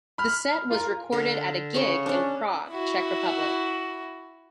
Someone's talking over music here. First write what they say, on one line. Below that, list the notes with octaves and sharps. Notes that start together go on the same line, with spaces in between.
The set was recorded at a gig in Prague, Czech Republic.
B5 F6
F4 A#4
D3 A#4
C#3 C#6
C#4 D4
E4 F#4